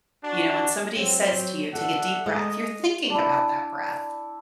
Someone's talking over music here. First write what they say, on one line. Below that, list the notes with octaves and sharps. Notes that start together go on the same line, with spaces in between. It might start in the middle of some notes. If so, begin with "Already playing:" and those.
You know, when somebody says to you, "Take a deep breath," you're thinking about that breath,
D4 F#4
F#3 C4
F#3
D4 F#4 A4 E5 F#5
G#3 G#4 A4 D#5
D4 E4